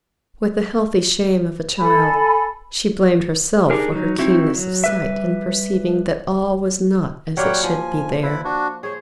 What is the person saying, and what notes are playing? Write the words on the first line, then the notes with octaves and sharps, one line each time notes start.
With the healthy shame of a child, she blamed herself for her keenness of sight, in perceiving that all was not as it should be there.
A4 G#5 B5
D4 D#4 G4 G#4 A#4
F#3 D#4
C4 D#4 E4 F#4
F#3
G3 B4 E5
F#3 G3 A#3 C#5 F#5 G5
F3 G#5
E4 B4
D4 F#4
G#4 C5 C#5